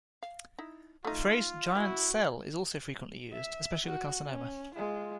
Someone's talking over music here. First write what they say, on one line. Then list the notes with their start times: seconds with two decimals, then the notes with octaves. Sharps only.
The phrase giant cell is also frequently used, especially with carcinoma.
0.23 F5
0.59 D#4 E4
1.05 A3 D#4 F4
1.75 E3 E4 F#4
3.33 E5
3.85 F#4
4.27 C#4
4.75 G#3 F4